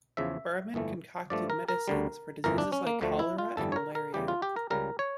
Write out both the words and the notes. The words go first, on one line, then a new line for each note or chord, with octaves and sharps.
Burman concocted medicines for diseases like cholera and malaria.
E2 C#3 F3 E5
G1 F2 E3 A3
G2 F3 A3 D5
A#4
A#4
D2 D3 G3
G1 F2 E3 A#4
D4
C#4
A#3
D2 D3 F3 A3
E4
F4
G1 F2 E3 G3 A4
C#5
A#4
A#4
E2 C#3 E3 G3 G4
F4
G4
A#4
C#2 C#3 G3 A#4
C#5